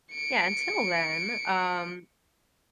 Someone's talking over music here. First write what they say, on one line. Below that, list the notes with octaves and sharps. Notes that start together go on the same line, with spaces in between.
Yeah, until then, um
C#7 D7